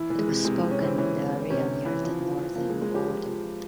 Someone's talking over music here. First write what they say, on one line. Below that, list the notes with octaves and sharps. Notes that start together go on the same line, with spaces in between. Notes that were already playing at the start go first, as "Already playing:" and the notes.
It was spoken in the area near the northern border.
Already playing: E3 E4
E3
G#3
C3
C3 G#3
G#3
C3
C#4
E3 C4
E3 C#4
C3
E3
C3 C#4
C3
E3
F3
F3
F3
F3 A#3
G#3
F3
G#3
F3 G4
F3
F3
F3